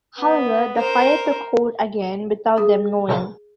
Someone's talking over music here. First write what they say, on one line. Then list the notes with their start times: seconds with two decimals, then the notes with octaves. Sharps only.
However, the fire took hold again without them knowing.
0.18 B3
0.77 A#4 C5
2.58 G#4